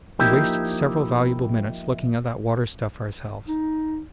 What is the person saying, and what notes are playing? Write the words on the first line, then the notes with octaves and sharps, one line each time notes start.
"We wasted several valuable minutes looking at that water stuff ourselves."
F3 A#3 D#4 E4 G4
D#4